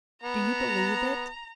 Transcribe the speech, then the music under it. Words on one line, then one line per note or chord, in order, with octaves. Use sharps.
Do you believe it?'
B3 A#5